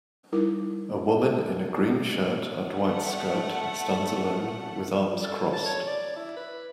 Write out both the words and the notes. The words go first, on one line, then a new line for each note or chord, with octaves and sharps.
A woman in a green shirt and white skirt stands alone with arms crossed.
G3 D#4 E4 A#4 D6
A3 F#5
A4
A5
C#5
D5
E4
B4